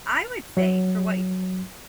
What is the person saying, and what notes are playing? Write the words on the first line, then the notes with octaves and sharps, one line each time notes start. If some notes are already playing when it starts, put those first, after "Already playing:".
I would say for what you're
F#3